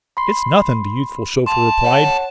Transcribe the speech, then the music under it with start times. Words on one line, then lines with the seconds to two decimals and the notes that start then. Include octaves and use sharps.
"It's nothing," the youthful chauffeur replied.
0.17 B5 C6 C7
1.46 A5 C6
1.84 C#5 F#5